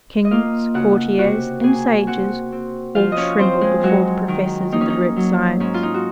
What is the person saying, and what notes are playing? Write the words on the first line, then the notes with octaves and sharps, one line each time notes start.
Kings, courtiers, and sages, all trembled before the professors of the dread science.
D#5
A#3 F4 F5
C#3 F#4 F#5
C3 F#4 F#5
A#3 G#4 G#5
C4 F#4 F#5
C4
F3 F4 F5
D#5
C#4 C#5
F3 C4 C5
G#3 G#4
F#3 G#3 F#4
D#3
A#3 D#4
C#4
D#4
F#3
G#2 C#4
F4
D#4
F#4